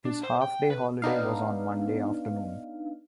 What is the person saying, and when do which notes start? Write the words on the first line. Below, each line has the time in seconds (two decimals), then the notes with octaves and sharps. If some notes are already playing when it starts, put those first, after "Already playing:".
His half-day holiday was on Monday afternoon.
0.05 D4
0.23 C5
0.42 G5
0.70 B4
1.02 B3 D4 D#4 F5